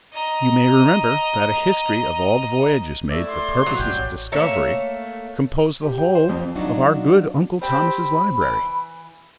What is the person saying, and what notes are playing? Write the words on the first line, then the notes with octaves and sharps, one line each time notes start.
You may remember that a history of all the voyages made for purposes of discovery composed the whole of our good Uncle Thomas' library.
D#5 A#5
A3 E4 D5 E5
C6
F#3
A1 D5 G5 G6
A3 A#3 C#5 E5
G4
G5
C5
F2
F#3 D4 D#4 F4 F#4
C4 G4 C5 B5
E3